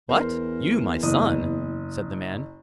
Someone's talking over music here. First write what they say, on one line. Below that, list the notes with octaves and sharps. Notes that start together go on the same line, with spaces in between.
'What, you my son!' said the man.
E2 A#4 C5
F#1 D#6